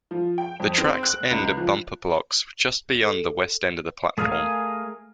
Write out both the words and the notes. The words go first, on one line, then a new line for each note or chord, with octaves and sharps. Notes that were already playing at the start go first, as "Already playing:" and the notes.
The tracks end at bumper blocks just beyond the west end of the platform.
F3
G5
F2
C4
F#6
C#2
F3
A4
A3 G#4 A#4 F5 G#5